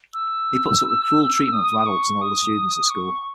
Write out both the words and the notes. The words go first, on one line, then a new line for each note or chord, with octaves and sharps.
He puts up with cruel treatment from adults and older students at school.
E6
D#6
C#6
D#6
C#6